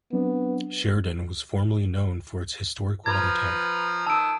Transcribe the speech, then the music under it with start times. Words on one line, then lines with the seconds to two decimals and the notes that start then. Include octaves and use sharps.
Sheridan was formerly known for its historic water tower.
0.13 F#3 B3 C4 D4
3.06 F3 B4 A#5 G#6
4.07 D#3 A5 E6 D7